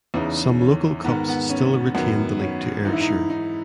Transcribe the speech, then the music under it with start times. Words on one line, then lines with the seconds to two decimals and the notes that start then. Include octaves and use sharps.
Some local cups still retained the link to Ayrshire.
0.14 E2 C#3 E3 D#4
0.59 C#4
1.04 G#2 D#3 B3
1.28 B3
1.50 C#4
1.95 F#2 D#3 B3
2.39 C#4
2.85 G#2 E3 D#4
2.93 E4
3.01 D#4
3.30 D#4